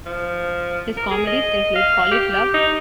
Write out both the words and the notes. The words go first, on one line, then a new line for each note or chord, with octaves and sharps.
His comedies include Call It Love?
F3
A#4
G#4
D#5
F5
G4
D#4